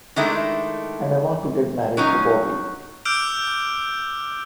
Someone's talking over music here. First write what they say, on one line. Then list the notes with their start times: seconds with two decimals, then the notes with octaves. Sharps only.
And I want to get married to Bobby.
0.16 D#3 G#3 A3 D4 E4
1.97 F#3 C#4 D#4
3.05 D6 E6 F6 G6 D7